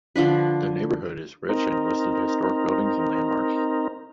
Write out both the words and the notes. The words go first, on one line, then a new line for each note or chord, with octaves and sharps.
The neighbourhood is rich in listed historic buildings and landmarks.
D3 F3 D4 B4
C4 D#4 A#4